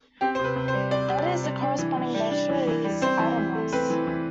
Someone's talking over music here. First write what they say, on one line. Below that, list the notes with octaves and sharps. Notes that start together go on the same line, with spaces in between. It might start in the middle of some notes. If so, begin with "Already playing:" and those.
That is, the corresponding measure is atomless.
C4 G4
C3 C5
B4
C3
C5
G3
C4 D5
C3
C3
G3
D4
E3
E3
G3
D4
E3
E3
G3
C4 C5
E3
E3
A3
C4 B4
E3
E3